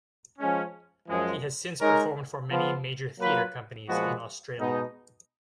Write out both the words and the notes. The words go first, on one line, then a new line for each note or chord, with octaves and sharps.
He has since performed for many major theatre companies in Australia.
F3 G#3 C#4
F#2 F3 G#3
G#3 D#4 A#4 C#5
F3 B3 F4
F#3 A#3 F4 B4
A#2 F3 G#3 B3 F#4
B2 G#3 B3 D#4